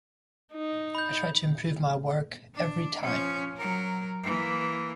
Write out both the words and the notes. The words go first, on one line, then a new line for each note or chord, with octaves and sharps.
I try to improve my work every time.
D#4
B5 G6
D4
F3 C#4
F#3 A#4
E3 A#3